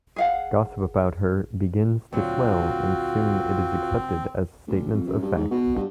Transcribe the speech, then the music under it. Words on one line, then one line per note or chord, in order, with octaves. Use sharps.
Gossip about her begins to swell and soon is accepted as statements of fact.
G#4 F5 F#5
D2 A#2 F#3 C4 F4 F#4
D2
F2
F#2
G2
G#2
B2
G2